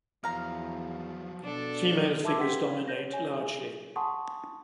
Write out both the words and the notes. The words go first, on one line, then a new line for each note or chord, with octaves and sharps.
Female figures dominate largely.
E2 F3 F#3 F5 A#5
B2 D4 A4
E5 A5 C6 D6 E6 G#6
G4 B4 F#5 G5 C6 B6
C#5 G6 A#6
C#5 G#5
G#4
F#5 G#5 A5 C6 C#6 D#6